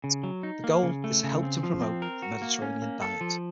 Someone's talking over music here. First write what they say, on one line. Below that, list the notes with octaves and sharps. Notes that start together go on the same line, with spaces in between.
The goal is to help to promote the Mediterranean diet.
C#3
F#3
D#4
A#3
C#3
A3
C#3
C4
F3
C4
A#4
F#4
A#3
C#4
A#3
A4
F3